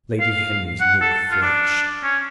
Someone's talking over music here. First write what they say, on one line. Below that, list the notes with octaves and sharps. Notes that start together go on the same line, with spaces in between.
Lady Henry's look flashed.
F5
F#5
A4
F4
D4
C#4